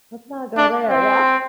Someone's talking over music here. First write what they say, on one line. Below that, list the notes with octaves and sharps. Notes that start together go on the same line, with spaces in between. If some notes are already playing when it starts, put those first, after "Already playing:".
Let's not go there, yeah.
D4
C4